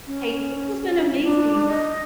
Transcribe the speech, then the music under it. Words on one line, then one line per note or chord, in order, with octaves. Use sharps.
Hey, this has been amazing.
C#4
D4
D#5